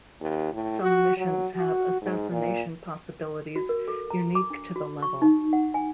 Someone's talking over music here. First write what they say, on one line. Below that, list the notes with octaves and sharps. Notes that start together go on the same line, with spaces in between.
Some missions have assassination possibilities unique to the level.
D#2
A2
F#4
F#3
F#4
G#2
A#2
F#4
A#4
A4
A#5
D6
D4
F#4
C#6
D#4
F#5
G#5